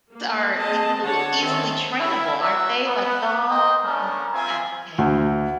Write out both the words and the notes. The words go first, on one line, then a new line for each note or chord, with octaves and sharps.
T are easy to loo easily trainable, aren't they? Like dog? People Yeah. Okay.
A#3
C4 G#4 D#5 A5
D3 C#5 F#5 A5
D#3 C4 E5 A5
C#4 E4
F#4 A#4 C#5 D5 E5
B3
A#3 A#4 C5 D#5 G5
A3 B3 C#4 D4 A#4
C4 F4 E5 G#5
D2